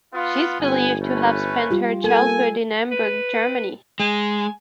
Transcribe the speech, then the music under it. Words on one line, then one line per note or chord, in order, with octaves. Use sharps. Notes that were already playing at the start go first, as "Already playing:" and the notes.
She is believed to have spent her childhood in Hamburg, Germany.
B3 F4
G1 B3 G#5
A3 C#4 B4
G3 F4 G4
A#3 A4 G#5
B4
G#3 G#5